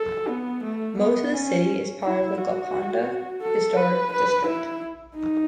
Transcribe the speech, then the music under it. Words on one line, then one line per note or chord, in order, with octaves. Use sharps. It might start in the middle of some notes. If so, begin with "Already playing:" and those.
Most of the city is part of the Golconda Historic District.
Already playing: A4
B3
A3
B3
C#4
E4
F#4
A4
B4
B4
E4
D#4